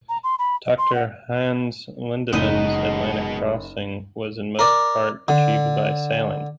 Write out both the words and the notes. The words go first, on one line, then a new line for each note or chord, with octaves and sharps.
Doctor Hannes Lindemann's Atlantic crossing was in most part achieved by sailing.
A#5
C6
B5
D#5
C6
F#5
F#1 G#3 B3 D#4 B4 D#5 D#7 G7
A#4 D5
D3